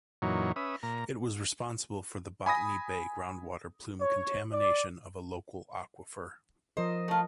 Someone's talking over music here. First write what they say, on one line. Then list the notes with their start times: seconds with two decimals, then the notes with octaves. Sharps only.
It was responsible for the Botany Bay Groundwater Plume contamination of a local aquifer.
0.22 F#2 A#2 E3 F#3 D#4 C#5
0.56 C#4 B4 E5 D#6
0.83 A#2 A#5
2.46 G#5 B5 D#6 A#6
4.01 C#5
4.53 D5
6.77 F3 A#4 C5 D#5
7.08 A3 F4